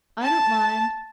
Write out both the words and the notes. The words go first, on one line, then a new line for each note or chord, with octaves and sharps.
"I don't mind."
A5